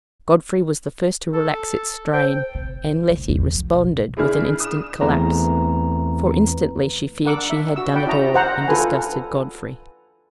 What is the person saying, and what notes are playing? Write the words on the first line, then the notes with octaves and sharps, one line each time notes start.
Godfrey was the first to relax its strain, and Letty responded with an instant collapse; for instantly she feared she had done it all, and disgusted Godfrey.
A4
C5 G5
C3
F1
E2 A2
F3
B1
C#3 D4 E4 G#4 F6
D#6 E7
E2 E3 A3 C4 B4 A#5
D4 A#4 F#5 D6 E6
E5
F#4 E6
D5 F#5 G5 B5
C#4 E4 F#4 D#5 A5 A#5
C5 F#5 A#5
F4 A4 B4 G#5